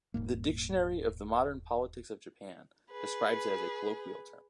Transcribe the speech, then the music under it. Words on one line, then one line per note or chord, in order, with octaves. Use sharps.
The "Dictionary of the Modern Politics of Japan" describes it as a colloquial term.
D#1 G#2 A#3
G#4 B4